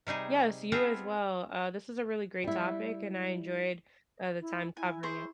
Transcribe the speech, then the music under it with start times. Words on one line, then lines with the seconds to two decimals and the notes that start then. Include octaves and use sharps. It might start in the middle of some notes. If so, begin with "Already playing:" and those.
Yes, you as well. Uh, this is a really great topic, and I enjoyed, uh, the time covering it.
0.07 C3 G3 D#4 G#4
0.72 B3 C4 F4 G#4 A4
2.44 G3 E4
4.41 E4
4.77 E4 G#5
5.03 G#4 C5 C#6